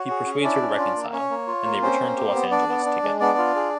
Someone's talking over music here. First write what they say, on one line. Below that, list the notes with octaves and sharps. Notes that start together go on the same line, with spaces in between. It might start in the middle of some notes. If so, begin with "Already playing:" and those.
He persuades her to reconcile, and they return to Los Angeles together.
Already playing: F#4 C#5
G#4
C#4
D4 E4 D5
C#4
F4
A#3
C#4 C#5
A#3
F4
A#3
C4 C#4 C5
A#3
G4
B3
D4 D5
B3
D4
G#3
B3 D4 D5
F4
G#4